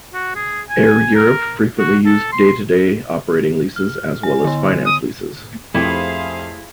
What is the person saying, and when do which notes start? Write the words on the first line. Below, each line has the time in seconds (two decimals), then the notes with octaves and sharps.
Air Europe frequently used day-to-day operating leases as well as finance leases.
0.14 F#4
0.35 G#4
0.69 G#5
1.15 A#4
1.79 F#4
2.06 A4
2.32 C6
3.76 F6
4.23 G#5
4.45 D3 B3
4.86 D#6
5.74 F2 A3 E4 G4 G#4 B4 C5 F5